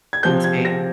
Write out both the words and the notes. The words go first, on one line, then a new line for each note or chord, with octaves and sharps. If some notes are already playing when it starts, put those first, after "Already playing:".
in Spain?
G#6
C3 F3 C4 G6
G#6
A#6